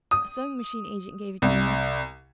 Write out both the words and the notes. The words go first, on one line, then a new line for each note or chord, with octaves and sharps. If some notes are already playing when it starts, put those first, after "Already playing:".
A sewing-machine agent gave it to her.
D#6
C2